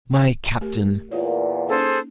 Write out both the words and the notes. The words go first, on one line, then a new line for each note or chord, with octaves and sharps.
My Captain!
A3 G4 A#4
E2 A#2 F4 C#5
A#3 C#4 D#4 G#4 A4 C5